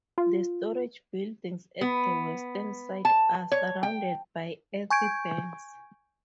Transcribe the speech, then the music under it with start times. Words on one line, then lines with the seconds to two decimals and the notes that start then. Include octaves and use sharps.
The storage buildings at the western site are surrounded by earth banks.
0.18 F4
1.81 B3
3.05 A5
3.52 C#5
3.83 G5
4.90 G#5 C#6 G6 G#6 D7